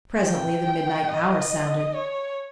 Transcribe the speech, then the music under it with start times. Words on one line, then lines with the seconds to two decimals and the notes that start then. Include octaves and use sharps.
Presently the midnight hour sounded.
0.24 G5
1.09 D#5
1.95 C#5